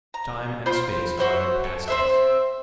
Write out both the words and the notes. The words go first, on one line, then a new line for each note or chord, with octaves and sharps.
Time and space glided past us.
A#5
F4 C5 G5 B5
F#4 C5 C#5 E5
A4
C4 C5 E5